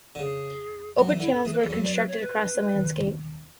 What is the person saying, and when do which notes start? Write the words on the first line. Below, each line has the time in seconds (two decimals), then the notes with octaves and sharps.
Open channels were constructed across the landscape.
0.15 D3
0.19 C#3 G#4
0.99 F#3
1.09 E3
1.20 D3 E4
1.33 A4
1.45 E3 G#4
1.53 B4
1.58 A4
1.64 E2
1.70 F#2 A4
1.83 D5
1.95 B4
2.08 C#5
2.21 B4